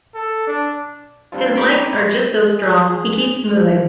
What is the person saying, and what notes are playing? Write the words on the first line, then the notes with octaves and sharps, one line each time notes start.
His legs are just so strong he keeps moving.
A4
D4
G3 C4 D4 F4
G5 A#5 B5 C#6 D6
G#4
F3